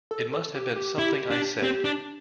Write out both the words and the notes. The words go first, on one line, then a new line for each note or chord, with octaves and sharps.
It Must Have Been Something I Said!
A4
A4
G4
G4
E4 G4
D4
C4
D4